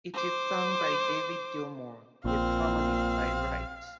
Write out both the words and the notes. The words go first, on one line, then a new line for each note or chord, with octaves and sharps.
It is sung by David Gilmour, with harmonies by Wright.
C5 D6
A#1 A#2 C4 F5